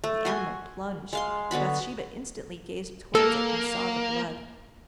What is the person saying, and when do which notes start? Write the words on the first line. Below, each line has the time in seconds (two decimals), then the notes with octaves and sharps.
The animal plunged; Bathsheba instantly gazed towards it, and saw the blood.
0.04 A3
0.25 F#4 G#5 C6
1.13 G#3 F5 C6
1.51 D3 B3 F#4 B5
3.15 A#3 A4